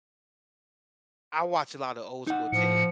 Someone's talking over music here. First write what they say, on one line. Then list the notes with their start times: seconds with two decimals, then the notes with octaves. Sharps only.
I watch a lotta old school tape.
2.27 D#4 F#5
2.52 A2 F3 C#7